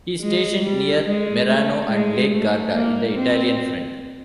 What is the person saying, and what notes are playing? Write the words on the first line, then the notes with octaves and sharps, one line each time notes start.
He stationed near Merano and Lake Garda in the Italian Front.
G#3
G3
G#3
A3
G#3
A3
A#3
C4